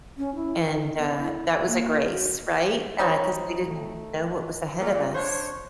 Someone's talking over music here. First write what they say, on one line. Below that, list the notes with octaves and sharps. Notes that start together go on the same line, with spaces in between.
and, uh, that was a grace, right? Uh, 'cause we didn't know what was ahead of us.
C#4
E4
D#4
B3
E4
E5
A#3
F#4
G3 C4 D#4 C#5
F3
A3
A#2
D4 C5 C#5